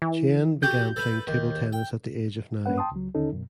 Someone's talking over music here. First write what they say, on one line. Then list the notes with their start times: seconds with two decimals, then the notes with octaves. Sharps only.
Tien began playing table tennis at the age of nine.
0.02 E3
0.63 F#4 G4 A4 G6
0.96 A4 B4 A5
1.28 D#2
1.73 G5
2.66 G#2 A#3 C#4 B4 F#5
2.78 G5 A5 C6 D#6
2.91 C#2 F#3
3.15 D#2 D3 C#4 D#4 A4
3.33 F#2 B2